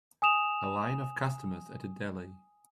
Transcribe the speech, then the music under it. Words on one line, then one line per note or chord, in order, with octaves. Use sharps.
A line of customers at a deli.
G#5 D#6 E7 F7